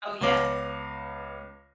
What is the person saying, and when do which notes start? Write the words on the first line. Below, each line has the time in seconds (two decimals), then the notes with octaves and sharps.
Oh, yes.
0.21 C#2 B3 C#5 F5 D6 A#6